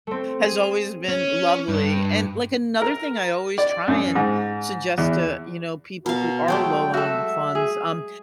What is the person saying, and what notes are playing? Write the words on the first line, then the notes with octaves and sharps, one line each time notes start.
has always been lovely, and like another thing I always try and suggest to, you know, people who are low on funds, um,
A3 C4
G#4 D#7
C#4
G2
A#4
D5
F#2
G#2
E2
B2 A#4 F5
F#3 G#3 A3 G5
F#4 A4 E5
G#4